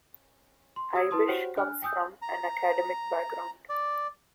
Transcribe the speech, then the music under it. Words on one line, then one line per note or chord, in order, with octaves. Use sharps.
Ibish comes from an academic background.
C6
F#4 G4 D#6 E6 G#6
E4 B4 A5 C6 D#6
F#4 G4 C5 C#5 F#5 G5
D4 G#5 F6 F#6
G5 G#5 D#6 E6 G6
A#5
D5